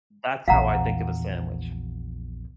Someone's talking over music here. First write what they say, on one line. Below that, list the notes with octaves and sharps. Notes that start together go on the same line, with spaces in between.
That's how I think of a sandwich.
A#1 E2 F5 F#5 A#5